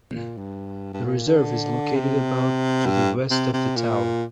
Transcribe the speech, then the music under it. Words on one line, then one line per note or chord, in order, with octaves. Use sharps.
The reserve is located about to the west of the town.
A#2
G2
G2
A#2
D3
C3
G2
C3
C3
A#2